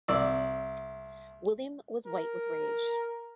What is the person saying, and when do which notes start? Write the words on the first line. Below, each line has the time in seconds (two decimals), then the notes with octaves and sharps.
William was white with rage.
0.08 C2 D5 E6
2.06 A#4